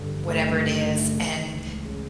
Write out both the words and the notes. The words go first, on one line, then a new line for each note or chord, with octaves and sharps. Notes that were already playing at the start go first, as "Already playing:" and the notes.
whatever it is, and
Already playing: G2 D3
A1
A3
G2
D3
A1
A3
C#3
E3
C#2
C#2
C#3